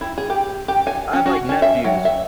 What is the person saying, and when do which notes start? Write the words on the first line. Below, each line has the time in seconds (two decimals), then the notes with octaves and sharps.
I have, like, nephews.
0.01 E4
0.18 G#4
0.30 G4
0.68 G4
0.87 G#5
1.13 C#4
1.26 F#4
1.49 C#4
1.62 E5
1.84 F#3
2.05 E5